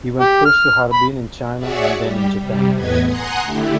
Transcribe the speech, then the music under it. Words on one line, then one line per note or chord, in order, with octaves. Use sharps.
He went first to Harbin in China and then in Japan.
G4
F6
B5
F#4 G#4 C#5 D5 E5 F#5
G3 G4
C3 G3
E2 A2 B3 B4 D#5 G#6
F#5 G#5 A#5 C6 D#6 F#6
D3 A3 E4 G4